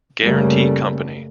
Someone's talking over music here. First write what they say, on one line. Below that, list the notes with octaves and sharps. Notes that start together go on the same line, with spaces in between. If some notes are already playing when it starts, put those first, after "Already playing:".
Guarantee Company.
F#1 C#3 G3 A3 A#3